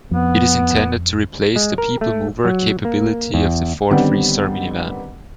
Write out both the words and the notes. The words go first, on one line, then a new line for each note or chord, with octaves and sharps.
It is intended to replace the people-mover capability of the Ford Freestar minivan.
F2 F3 B3
G#3
A#4
A3
F#3
A#3
E2
D3 D#3 G3 B3 C4